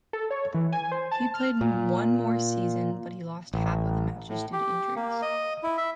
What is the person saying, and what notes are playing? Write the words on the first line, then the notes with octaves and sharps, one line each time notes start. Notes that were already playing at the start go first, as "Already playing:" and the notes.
He played one more season but he lost half of the matches due to injuries.
A4
C#5
E3
G#5
C5
A5
F6
A#2
A1
A2
G4
A#3
D#5
E4
E5